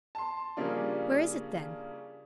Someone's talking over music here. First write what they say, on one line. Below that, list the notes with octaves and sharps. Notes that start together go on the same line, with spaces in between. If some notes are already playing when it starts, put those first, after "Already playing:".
"Where is it, then?"
A5 C6
C#3 F3 G3 A#3 C#4 D4